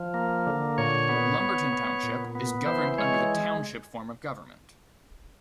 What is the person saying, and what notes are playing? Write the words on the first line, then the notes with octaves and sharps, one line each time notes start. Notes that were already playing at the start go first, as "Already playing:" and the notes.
Lumberton Township is governed under the Township form of government.
Already playing: F3
A#3
D3
A#2 C#5
B3
B3
B3
A#2
B3
E3 C5
G#3 C#5